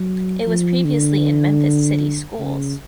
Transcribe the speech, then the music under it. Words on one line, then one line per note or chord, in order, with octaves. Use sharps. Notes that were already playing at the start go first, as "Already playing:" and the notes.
It was previously in Memphis City Schools.
Already playing: F#3
F3
D3
C#3